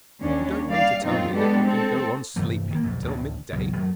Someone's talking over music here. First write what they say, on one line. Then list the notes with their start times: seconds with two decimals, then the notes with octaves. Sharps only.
'You don't mean to tell me that you can go on sleeping till mid-day?'
0.21 D#2 C#4 D4
0.67 G3 D5 F5
1.04 F#2 A#2 C4 D#4 F4
1.33 G3 G#3 B3 D4 G4 A4
1.64 C4 A4
2.36 G2 C3 E3 A3
2.71 D#3 A#3
2.84 B1 F2 G#2
3.05 A1 D2 A2 D4
3.52 G1 C#2 B2 F#3
3.77 F#2 F#3 A3